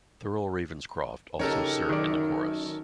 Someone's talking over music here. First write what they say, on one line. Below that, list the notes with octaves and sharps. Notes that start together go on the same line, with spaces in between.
Thurl Ravenscroft also served in the chorus.
C#3 D#4 G4 A4 A#4 C#5
F#2 D#3 D5